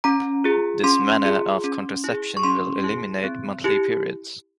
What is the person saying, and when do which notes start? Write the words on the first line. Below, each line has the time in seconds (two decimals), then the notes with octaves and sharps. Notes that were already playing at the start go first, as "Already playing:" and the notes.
This manner of contraception will eliminate monthly periods.
0.04 C#4 A#5
0.44 F4 G#4
0.84 C#4 C6
1.24 F4 G#4
1.64 C#4
2.04 E4 G#4
2.37 C#6
2.43 C#4 C6
2.84 E4 G#4
3.24 C4
3.64 E4 G4